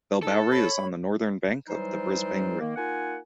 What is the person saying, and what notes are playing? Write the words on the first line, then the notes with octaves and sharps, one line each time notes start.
Bellbowrie is on the northern bank of the Brisbane River.
D#4 A4
C#5 B5
E3 F#3 G3 D#4 C5
D#3 A#3
A#3 D#4 F4 F#5 G#5